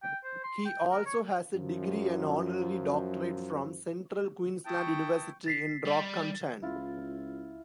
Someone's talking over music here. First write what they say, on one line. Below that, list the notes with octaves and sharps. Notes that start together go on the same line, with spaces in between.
He also has a degree and honorary doctorate from Central Queensland University in Rockhampton.
G5
C5
C6
G5
A#4
C#5
F#2 F3
E4 G5 A5 C#6 D#6
A6 B6 C7
G3
C#2 E4 F4